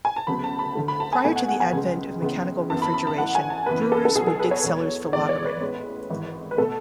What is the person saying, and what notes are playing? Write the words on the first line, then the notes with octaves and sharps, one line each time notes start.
Prior to the advent of mechanical refrigeration, brewers would dig cellars for lagering.
G#5
A5
D2 C#3 F#3 B3 B5
A5
B5
D2 D3 A3
B5
A5
G#5
B1 B2 A3 G#5
F#5
F#5
G#5
C#2 C#3 G#3
C#2 C#3 E3 G#3 B3
F#2 E3 B3 A5
B5
B5
A5
A1 A2 E3 F#5
G#5
A5
F#2 C#3 E3 B3 B4
A4
A4
B1 B2 F#3 G#4
A4
B4
C#5
E2 B2 G#3 B3
G#2 E3 G#3 B3 D5
C#5
B4
A1 A2 G#3 B3
G#1 G#2 E3
B4
B2 A3 A4